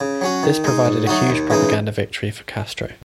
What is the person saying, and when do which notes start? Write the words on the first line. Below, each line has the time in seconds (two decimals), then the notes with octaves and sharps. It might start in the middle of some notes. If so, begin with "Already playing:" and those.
This provided a huge propaganda victory for Castro.
0.01 C#3
0.21 F#3 C#4 F#4
0.43 D#3
0.64 G#3 D#4
0.86 G#2
1.07 F#3 A3 D#4 F#4
1.29 D#2
1.50 C#3 E3 G#3 D#4